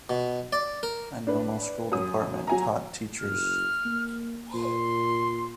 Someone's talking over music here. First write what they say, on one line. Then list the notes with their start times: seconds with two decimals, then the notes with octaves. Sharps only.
A normal school department taught teachers.
0.10 B2
0.53 D5
0.83 A#4
1.27 D4 B4
1.92 F#2 D#6
2.47 F#3 G#5 A#5
3.20 F#1 F6
3.85 A#3
4.54 A#2 C6